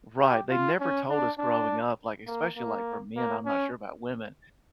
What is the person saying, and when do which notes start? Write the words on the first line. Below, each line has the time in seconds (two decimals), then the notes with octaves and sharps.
Right, they never told us growing up, like, especially, like, for men, I'm not sure about women,
0.20 G4
0.50 F4
0.80 C#4
1.09 D4
1.38 D4
2.27 A#3
2.57 A#3
3.16 A#3
3.46 C#4